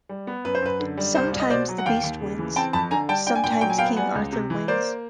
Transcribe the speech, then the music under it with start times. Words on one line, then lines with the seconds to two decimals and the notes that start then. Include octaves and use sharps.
Sometimes the beast wins, sometimes King Arthur wins.
0.09 G3
0.27 B3
0.45 F#2 B4
0.55 C5
0.62 F#2 B4
0.80 D3
0.97 G3
1.15 C2 C5
1.33 C2
1.40 D#5
1.50 B2 C5 D5
1.68 F#3
1.78 F#5
1.86 D#2 F5 G5
2.03 D#2
2.21 C#3
2.38 E3
2.56 C4 G5 A5
2.73 F2 A5 B5
2.91 D3 G#5 A#5
3.09 G3 G5 A5
3.27 D4 G5
3.35 G#5
3.44 A#2 G5
3.52 G#5
3.61 F#3 G5
3.70 G#5
3.78 B3 F5 G5
3.97 G3 F#5 G#5
4.15 C#2
4.32 C3
4.50 E3
4.68 A#3 C5 D5